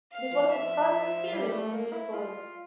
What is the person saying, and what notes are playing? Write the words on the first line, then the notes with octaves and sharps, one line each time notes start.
It is one of the primary theories on peak oil.
F5
F3
E5
G3
A3
A#3
E4
F4